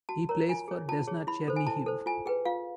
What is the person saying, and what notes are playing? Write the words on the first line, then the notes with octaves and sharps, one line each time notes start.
He plays for Desna Chernihiv.
F#4 A5
A#4 C#5 A#5
F4 G#5
G#4 C#5
F4 A5
G#4 C#5
E4 B5
A4 C5
G#5
E4 A5
A4 C5
F4 G#5
G#4 B4 G5
F4 F5